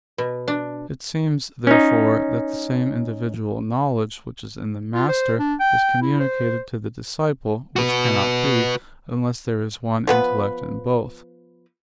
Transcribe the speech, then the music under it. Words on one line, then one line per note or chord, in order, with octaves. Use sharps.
It seems, therefore, that the same individual knowledge which is in the master is communicated to the disciple; which cannot be, unless there is one intellect in both.
B2
D4
C#4 D#4
F4
C5
D4
G5
E4
C5
F#4 B4
F3 B3 B4